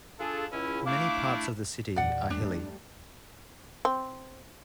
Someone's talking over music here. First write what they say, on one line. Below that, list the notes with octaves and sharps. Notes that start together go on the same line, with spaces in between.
Many parts of the city are hilly.
D4 F4 G#4 A4
C#2 C#4 E4
A3 D4 E4 F5 D6
E2 A#2 D5 F#5
G3 A3 D4
C4